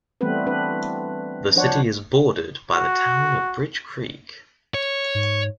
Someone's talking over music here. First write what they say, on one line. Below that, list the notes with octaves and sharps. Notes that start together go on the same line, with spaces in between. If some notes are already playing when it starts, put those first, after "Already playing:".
The city is bordered by the Town of Bridge Creek.
E3 G3 A3 B3 C4 B4
C4 D4 B4
F3 D4 C5 C#5 F#5
F#4
C#5
G#2